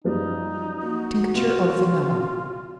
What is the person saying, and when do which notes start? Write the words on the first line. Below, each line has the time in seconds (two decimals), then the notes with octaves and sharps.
Tincture of Vanilla.
0.04 F#2 F3 G3 D#4
0.82 A#3 F#4
1.34 C2 B3 F4